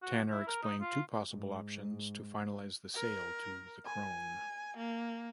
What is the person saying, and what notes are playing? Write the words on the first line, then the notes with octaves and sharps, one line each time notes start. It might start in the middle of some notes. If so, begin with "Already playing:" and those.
Tanner explained two possible options to finalize the sale to the "Krone".
F#4
E4
A#4
D#4
F4
G#2
A#4
G#5
A#3